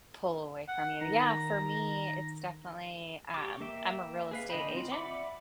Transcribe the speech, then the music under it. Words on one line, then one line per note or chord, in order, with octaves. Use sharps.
pull away from you. Yeah, for me, it's definitely um, I'm a real estate agent,
F#5
D#3 A#5
G4 C#6 D6
A#3 E5 G5
G#4 B4 F5
D3 D#5 G5 B5
C4 F4
D5 E5 F#5 B5 D6